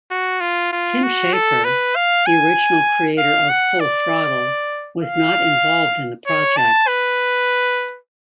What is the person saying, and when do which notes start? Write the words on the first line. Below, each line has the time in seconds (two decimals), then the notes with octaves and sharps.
Tim Schafer, the original creator of "Full Throttle", was not involved in the project.
0.11 F#4
0.41 F4
0.72 F4
1.03 F#4
1.33 A4
1.65 B4
1.96 F5
2.26 G#5
3.18 F5
3.50 F#5
3.80 D5
5.03 F5
6.27 C#5
6.57 A5
6.88 B4